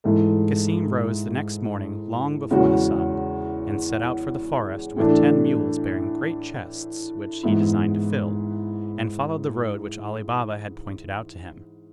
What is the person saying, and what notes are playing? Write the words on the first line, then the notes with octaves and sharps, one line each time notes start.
Cassim rose the next morning long before the sun, and set out for the forest with ten mules bearing great chests, which he designed to fill, and followed the road which Ali Baba had pointed out to him.
G#2 E3 A3
E2 C#3 G#3 C#4 F#4
A2 E3 A3 D4
G#2 E3 B3 E4